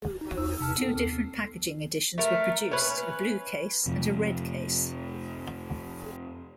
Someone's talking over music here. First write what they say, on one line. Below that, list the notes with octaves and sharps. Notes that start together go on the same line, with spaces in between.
Two different packaging editions were produced, a blue case and a red case.
D#4
E2 D#4 E6
C3 A5 F6
B3 C4 A4
D#2 C7
A3 A#4
C#4 B4
F2 C3 F3 A3